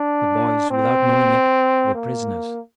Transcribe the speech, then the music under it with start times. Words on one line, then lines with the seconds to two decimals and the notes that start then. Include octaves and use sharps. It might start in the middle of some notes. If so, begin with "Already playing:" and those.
The boys, without knowing it, were prisoners.
Already playing: D4
0.70 C4
1.94 A#3